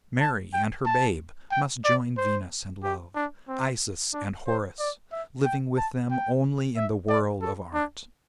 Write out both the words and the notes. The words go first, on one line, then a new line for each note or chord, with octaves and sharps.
Mary and her babe must join Venus and Love, Isis and Horus; living with them only in the world of art.
A5
G5
A5
G5
D5
C5
G4
D4
C4
D4
C5
D5
E5
G5
A5
G5
E5
D5
A4
D4